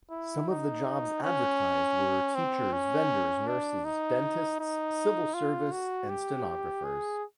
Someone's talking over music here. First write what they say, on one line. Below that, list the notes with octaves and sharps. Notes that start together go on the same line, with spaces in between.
Some of the jobs advertised were teachers, vendors, nurses, dentists, civil service and stenographers.
E4
D#4
C#4
C4
C#4
D4
D#4
D#4
F4
F#4
G4
G#4